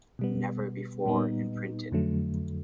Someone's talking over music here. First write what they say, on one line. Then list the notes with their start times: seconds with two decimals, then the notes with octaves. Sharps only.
Never before Imprinted.
0.19 B2 G3 B3
1.06 A#2 G3 B3 D#4
1.92 F2 D3 F#3 A3